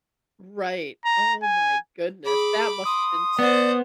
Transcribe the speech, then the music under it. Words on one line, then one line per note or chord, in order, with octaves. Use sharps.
Right, oh my goodness, that must have been s
A#5
G#5
G#4 B5 D6
C6 D#6
B3 C5 D5 F#5